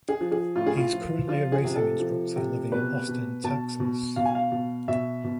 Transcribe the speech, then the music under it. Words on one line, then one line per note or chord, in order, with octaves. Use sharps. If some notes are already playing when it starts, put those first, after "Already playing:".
He is currently a racing instructor living in Austin, Texas.
G#4
F3
G#4
A2 F4
G#4
F4
F3
F3 F4
G#4
C3
A4
F3
C3
B2 B4
B2
B2 A5
B2
B2 F5
G#5
F5
B2
B2 E5
B2